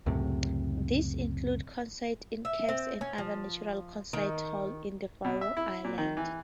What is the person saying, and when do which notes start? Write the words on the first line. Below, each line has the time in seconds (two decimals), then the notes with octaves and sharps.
These include concerts in caves and other natural "concert halls" in the Faroe Islands.
0.06 C#2 F#2 A2 C3
2.45 E5
2.69 C4
3.01 C#4
3.18 F3
4.13 D#3
5.25 B2
5.41 E5
5.57 E4
5.84 A#2
5.98 D#3
6.17 E3